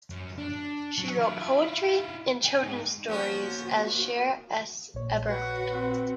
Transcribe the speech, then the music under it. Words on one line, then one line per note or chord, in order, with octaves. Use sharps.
She wrote poetry and children's stories as Sheri S. Eberhart.
F#2
D4
F#3
E4 F4
G5 G#5
D#4 G#4
F3 A#3 B3 C#4 F#4
A#1 A#2 C#5
F#4 B4
C4